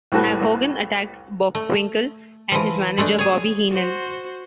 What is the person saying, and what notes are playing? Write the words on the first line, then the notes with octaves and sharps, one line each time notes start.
Hogan attacked Bockwinkel and his manager Bobby Heenan.
C2 A2 F#4 A4 B4
A3
E3 F3
G#3 A3 D4
G#4 C#5
F#4 C5